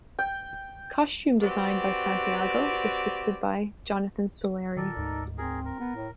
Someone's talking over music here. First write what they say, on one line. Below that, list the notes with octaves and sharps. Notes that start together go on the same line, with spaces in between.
Costume Design by Santiago, assisted by Jonathan Solari.
G5
C4 F#4 G4 B4 D5
A#2 D#3 A4 A#4 D5
D2 G#2 D#4
C4 G#4 A#4
A#4
B3
A2